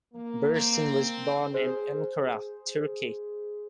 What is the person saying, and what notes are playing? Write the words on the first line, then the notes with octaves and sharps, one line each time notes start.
Birsen was born in Ankara, Turkey.
A#3
C4
G#4 C5